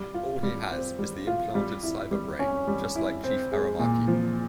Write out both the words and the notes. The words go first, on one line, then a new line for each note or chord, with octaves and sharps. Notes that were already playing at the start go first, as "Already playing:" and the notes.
All he has is the implanted cyber-brain, just like Chief Aramaki.
Already playing: G3
F4
G3
C4
G3
F4
G3
E4
G3
C#4
G3
E4
C4
G#3
A#2
F3